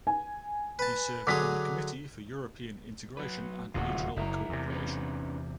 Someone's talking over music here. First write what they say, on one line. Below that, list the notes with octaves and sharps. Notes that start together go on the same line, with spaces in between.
He served on the Committee for European integration and regional cooperation.
G#5
B4 A5
D3 F#3 G#4 D6 B6
F#3 B4
D1 D#2 C3 F4 F#4
F#1 E4 A#4
E2 C3
C#4 D#4 B4